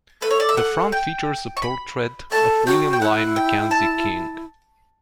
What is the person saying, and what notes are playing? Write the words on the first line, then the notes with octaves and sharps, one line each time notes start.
The front features a portrait of William Lyon Mackenzie King.
A4 B4
C#5
D5
E5
F#5
G5
C#6
B5
A4 A5
F#4 G5
G5
E4 F#5
G5
A5